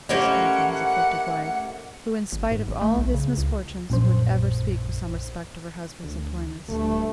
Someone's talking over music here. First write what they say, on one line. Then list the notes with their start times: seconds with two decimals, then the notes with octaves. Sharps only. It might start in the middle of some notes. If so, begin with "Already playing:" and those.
This came from his afflicted wife, who, in spite of all his misfortunes, would ever speak with some respect of her husband's employments.
0.09 A2 A#3 C#4 G4 C5 D#5 F#5
2.32 G#1
2.51 G#2
2.68 G#1
2.81 A3
2.96 B1
3.14 C#3
3.38 C#2
3.90 A#1 F#2 C5
6.04 D2
6.69 D1 D2 G2 A3